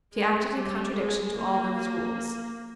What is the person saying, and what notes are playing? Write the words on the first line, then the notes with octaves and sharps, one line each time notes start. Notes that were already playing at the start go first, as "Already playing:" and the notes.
She acted in contradiction to all those rules.
G#3
G3
G#3
A#3